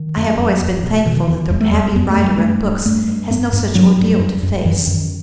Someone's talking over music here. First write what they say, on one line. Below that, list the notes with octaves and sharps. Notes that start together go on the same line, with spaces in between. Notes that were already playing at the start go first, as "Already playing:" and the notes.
I have always been thankful that the happy writer of books has no such ordeal to face.
Already playing: D#3
F#2
F#2
E2
B2
B2 E3
D#3
E2 E3
E2 G3
A3
E2 G3
F#2 B3
A3
F#2
G3
G2 A3
G2
G2 A3
G2
G2 B3
G2
G2 F#3
G2
F#2
F#2
F#2 E3
F#2 D#3